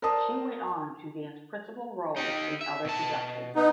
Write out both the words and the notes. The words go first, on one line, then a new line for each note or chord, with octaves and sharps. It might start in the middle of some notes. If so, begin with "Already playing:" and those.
She went on to dance principal roles in other productions.
A#4 C5 D5 A5 D#6
D#4 G4
E5
B2 A5
B3 D#4